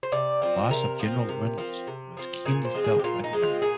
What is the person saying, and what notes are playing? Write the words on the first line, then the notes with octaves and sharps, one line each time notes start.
The loss of General Reynolds was keenly felt by the army.
C5
C3 D5
F3 C4
C3 A#4
F3 C4
C3
F3 C4
C3
F3 C4
A#2 G#4
C5
F3 G#3 C4
G#4
G4
A#2 F4
D#4
F3 G#3 C4
F4
A#2 G#4